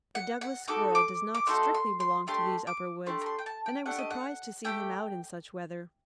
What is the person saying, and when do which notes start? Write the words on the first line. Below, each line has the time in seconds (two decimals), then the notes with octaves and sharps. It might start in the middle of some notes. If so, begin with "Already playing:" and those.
The Douglas squirrel does not strictly belong to these upper woods, and I was surprised to see him out in such weather.
0.15 F#5
0.41 F#5
0.67 A3 D#4 F#4 A4 D6
0.95 D6
1.35 D6
1.47 A3 D#4 F#4 A4 C6
1.74 C6
2.00 C6
2.27 A3 D4 G4 C6
2.67 D6
3.06 A3 D4 G4 C6
3.21 A#5
3.26 C6
3.39 G5
3.46 A5
3.66 G5
3.86 A3 D4 G4 F#5
3.98 D#5
4.11 F#5
4.65 A3 D4 G4 G5